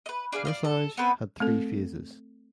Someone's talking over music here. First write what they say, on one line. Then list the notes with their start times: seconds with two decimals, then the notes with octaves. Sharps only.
Dressage had three phases.
0.06 B4 D#5
0.32 D4 G#4 B4 F5
0.45 D5 D#5 F5
0.65 A4
0.97 B3 C4 B4
1.40 A3 C4 A4